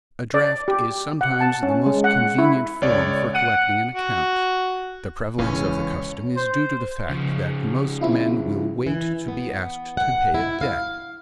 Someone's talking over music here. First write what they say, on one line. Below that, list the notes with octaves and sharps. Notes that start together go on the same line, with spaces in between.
A draft is sometimes the most convenient form for collecting an account. The prevalence of the custom is due to the fact that most men will wait to be asked to pay a debt.
D5
G4
F#5
A5
C#4
G#3
F#5
E4
C#2 C#5 D5
F#5 D7 D#7
F#4
E1 C#2 B2 E3 C#4 F5
C5
C#3 F3
C4 E4 F4
E3
B3
F#5
E4
F5